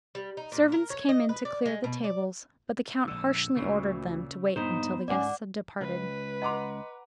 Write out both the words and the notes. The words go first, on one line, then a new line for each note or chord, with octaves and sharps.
Servants came in to clear the tables, but the count harshly ordered them to wait until the guests had departed.
G3
D#4
A#2
A#4
C#5
D#5
B4
D5
G#3
B2
D5
A#1 D3 E6
D2 A#2 C#3
G2 A#2 C#3 B3 D#4 C5
D2 G#2 C#4 D5 F#5 D6
C#2 B4
D#5 F#5 A#5 C6 D6